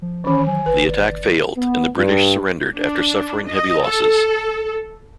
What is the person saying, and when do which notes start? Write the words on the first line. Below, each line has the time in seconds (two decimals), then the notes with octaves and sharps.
The attack failed and the British surrendered after suffering heavy losses.
0.02 F3
0.24 D#3 E3 C#4 B5
0.46 F#3 G#5
0.66 G#1 B4
0.87 F#1 D5
1.57 B3
1.96 G2
2.77 D4
3.48 D#5
3.85 A4